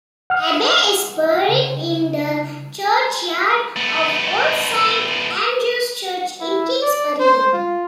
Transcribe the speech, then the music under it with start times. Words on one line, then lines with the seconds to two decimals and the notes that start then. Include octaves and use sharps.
Abbey is buried in the churchyard of Old Saint Andrew's Church in Kingsbury, London.
0.30 F#5 F6
1.49 C#3
3.76 A3 B3
6.41 E4
6.82 D5
7.20 C5
7.53 F4